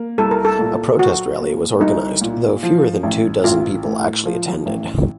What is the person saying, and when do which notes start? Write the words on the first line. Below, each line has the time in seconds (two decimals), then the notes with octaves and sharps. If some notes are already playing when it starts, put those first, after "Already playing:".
A protest rally was organized, though fewer than two dozen people actually attended.
Already playing: A#3
0.18 C2 A4
0.31 A#4
0.45 A4
0.59 A#2
0.99 F#3 F#4
1.39 A#3
1.80 C2 D#4
2.21 A#2
2.63 F3
3.03 A1
3.44 A1 F4
3.85 A2
4.25 F3
4.66 A1